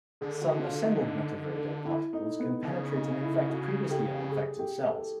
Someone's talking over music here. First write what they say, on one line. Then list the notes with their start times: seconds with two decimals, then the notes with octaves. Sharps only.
Some assembled Metaviridae particles can penetrate and infect previously uninfected cells.
0.21 D3 G#4
0.41 F#4
0.62 F4
0.83 D#4
1.85 E4
2.13 D#4
2.39 B3
2.62 D3
2.68 C#3
2.95 D#4
3.22 E4
3.49 F#4
3.91 G4
4.31 G#4
4.59 G4
4.86 A4